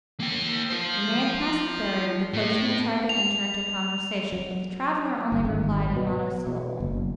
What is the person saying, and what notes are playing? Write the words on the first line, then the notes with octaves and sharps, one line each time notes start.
When they had passed the barrier, the coachman tried to enter into conversation, but the traveller only replied in monosyllables.
A#3 G5
F4 C5
A2
F7
F#3
G1
G#1
B2
B2
F#1